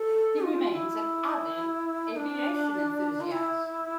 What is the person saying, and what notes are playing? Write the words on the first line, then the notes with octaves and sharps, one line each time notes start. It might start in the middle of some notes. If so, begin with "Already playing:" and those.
He remains an avid aviation enthusiast.
Already playing: A4
F4
E4
D4
F4
E4